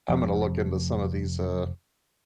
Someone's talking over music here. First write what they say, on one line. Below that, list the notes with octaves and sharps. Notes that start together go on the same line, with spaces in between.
I'm gonna look into some of these, uh
F1 F3